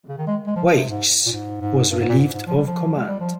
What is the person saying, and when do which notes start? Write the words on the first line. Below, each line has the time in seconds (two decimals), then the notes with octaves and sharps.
Weichs was relieved of command.
0.09 C#3
0.18 D#3
0.27 G#3
0.47 G#3
0.56 F3
0.75 C3
0.90 G#2
1.26 A#2
1.33 G#2
1.61 G#2
1.90 G2
1.99 G#2
2.09 A#2
2.19 G#2
2.33 G#2
2.47 F3
2.57 G3
2.67 F3
2.96 G#3
3.08 G3
3.21 F3